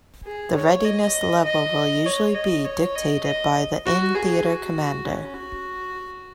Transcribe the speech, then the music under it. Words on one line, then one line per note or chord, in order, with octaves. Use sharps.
The readiness level will usually be dictated by the in-theatre commander.
G#4
C#5
D#5
D#5
C#5
D#5
C#5
D#5
D#5
F#4
G#4
F#4
C#4
F#4